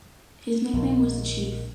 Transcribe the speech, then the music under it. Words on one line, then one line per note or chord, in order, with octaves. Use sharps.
His nickname was "the Chief".
A#1 D#3